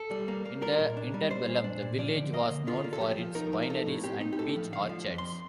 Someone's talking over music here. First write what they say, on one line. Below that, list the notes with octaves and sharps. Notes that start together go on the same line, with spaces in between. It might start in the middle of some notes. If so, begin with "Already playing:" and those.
In the interbellum, the village was known for its wineries and peach orchards.
Already playing: A4
G3
A#3
A#3
G3 A#4
A#2
D4
G3
G3 C5
A#2
D4
A#2
F3 D5
D3
A#3 D#5
D3
D3 F4
A#3
A4
F3 G4
F3
D#4 A#4
F3
A#4
D#4 A4
A2
C4 G4
D#4
G4
A2 A4
F3
D3 F5
F3
F2
C6